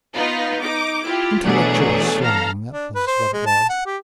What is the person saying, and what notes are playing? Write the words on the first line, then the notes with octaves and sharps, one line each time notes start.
Intellectual slumming, that was what it was.
B3 D#4 F4 B4
D#4 D6
E4 F4 G4
B2 E3 F#3 A3 D4 G#4
A4 F5 A#5
D4
B4
C5
G#3
A5
F#5
G4